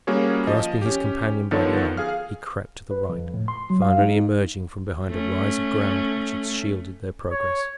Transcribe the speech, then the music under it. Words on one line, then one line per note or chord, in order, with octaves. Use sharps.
Grasping his companion by the arm, he crept to the right, finally emerging from behind a rise of ground which had shielded their progress.
G3 A#3 C#4 F#4 G#4
F3 D#5
C#4 G4
D3 D#3 F3 B3 A4 C#5
G#4 F5 F6
B4
F2
A2
C6
F#3
F5
D#4
A3 C#4
C#5